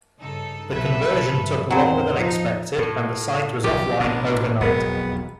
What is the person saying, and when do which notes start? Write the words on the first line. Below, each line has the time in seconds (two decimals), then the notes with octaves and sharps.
The conversion took longer than expected and the site was offline overnight.
0.19 G2 C#3 D#4 A4
0.70 B1 A4 B4 E5
1.30 G2 F3
1.71 A1 E2 C#3 F#3 C4 C5
2.18 F3 D#4
2.78 A2
3.64 B1 F3 G4
4.00 A1 B2 D4
4.61 E1 B1 F2 B3 G#4 A#4 B4